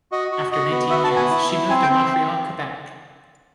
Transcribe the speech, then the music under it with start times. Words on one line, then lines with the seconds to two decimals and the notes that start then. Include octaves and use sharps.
After nineteen years, she moved to Montreal, Quebec.
0.12 F#4 D#5
0.31 F#4
0.52 F#4 D#5
0.71 B3
0.90 F#4 E5
1.04 A5
1.10 B3
1.16 G#5
1.31 E4
1.50 E4
1.69 C4 G#5
1.83 G5
1.90 C4